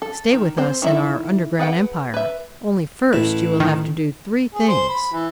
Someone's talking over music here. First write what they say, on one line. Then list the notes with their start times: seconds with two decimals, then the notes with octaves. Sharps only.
Stay with us in our underground empire, only first you will have to do three things.
0.02 A4
0.33 D#3
0.58 C4 C5
0.82 D#3 G#3 E4 A4 E5
1.59 G#4 B4 F#5 G5
2.14 B4 E5
3.13 A1 E4
3.60 D#3
4.55 G#4
4.68 C5
4.89 B5
5.13 E3